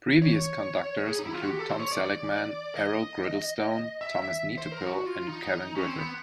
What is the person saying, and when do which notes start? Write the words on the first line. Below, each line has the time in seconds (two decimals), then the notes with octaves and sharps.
Previous conductors include Tom Seligman, Errol Girdlestone, Tomas Netopil and Kevin Griffiths.
0.22 C#5
1.07 G#4
1.19 D#4
1.26 E4
1.33 F4
1.41 F#4
1.49 G4
1.59 A4
1.70 C5
1.80 C#5
1.91 D5
2.75 D#5
4.01 E5
4.22 E5
4.58 C5
4.72 A#4
4.86 F#4
5.06 F4
5.27 D#4
5.75 C#4
5.87 C4
5.99 B3